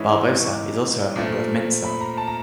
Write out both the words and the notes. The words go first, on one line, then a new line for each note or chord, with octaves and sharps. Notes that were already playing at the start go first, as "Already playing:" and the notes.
Barbosa is also a member of Mensa.
Already playing: G#2 E3 G#3 C#4 E4 D#6
C#6
D6
A#2 F3 A3
B5
A#5
A5
A#5